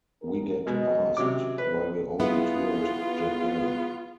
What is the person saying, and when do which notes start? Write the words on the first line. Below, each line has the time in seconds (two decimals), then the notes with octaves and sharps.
We get asked why we only toured Japan.
0.22 E2 G#4 A#4
0.67 B2 G#3 D#5
1.17 C3 D#3 F#3 C#4 D6
1.58 F2 A#2 F3 B4
2.20 B3 E4 F4 G#4